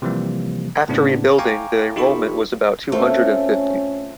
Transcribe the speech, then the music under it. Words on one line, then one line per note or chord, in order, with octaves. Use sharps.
After rebuilding, the enrollment was about two hundred and fifty.
C3 E3 F3 G3 A#3
A2 C#3 B3 C4 D4
F5 G5 G#5 A#5 C#6 D6
D#4 F4 G4 A4 B5 C#6
A3 C4 C#4 F4 A#4